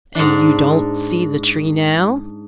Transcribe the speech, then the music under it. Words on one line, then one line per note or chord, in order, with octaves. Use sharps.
"And you don't see the tree now?"
G#2 D4